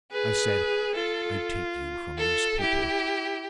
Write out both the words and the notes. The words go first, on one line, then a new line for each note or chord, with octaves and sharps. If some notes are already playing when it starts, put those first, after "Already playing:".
I said, 'I take you from those people.
G#4 B4
F4 A4
A4
E4 G4